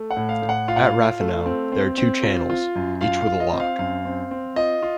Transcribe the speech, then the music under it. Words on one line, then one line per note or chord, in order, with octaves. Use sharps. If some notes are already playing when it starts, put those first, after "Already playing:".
At Rathenow there are two channels, each with a lock.
Already playing: A3
F#5
A2
F5
A2
F#5
F4 F5
F#5
F5
F4
A3
C4
C4
C4
F4
F4
F#2
F4 F5
F5
F4
D#5
C4
F5
F#2 F5
C4
C4
F4 D#5
F4